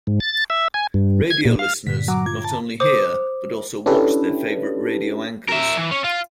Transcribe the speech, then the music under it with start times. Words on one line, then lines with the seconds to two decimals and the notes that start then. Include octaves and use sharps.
Radio listeners not only hear, but also watch their favorite radio anchors.
0.07 G#2
0.20 A6
0.50 E5
0.74 G#5
0.94 G2
1.31 G#6
1.45 A#2
1.59 F5
1.87 G2 A#2 D3 B6
2.08 F#3 A#5 D6
2.26 F4 G#6
2.44 A5
2.80 C5 D6 D#6
3.86 C#4 D4 E4 G4 A4 B4
5.49 A#4 E5
5.78 E3
5.91 C#4
6.04 F4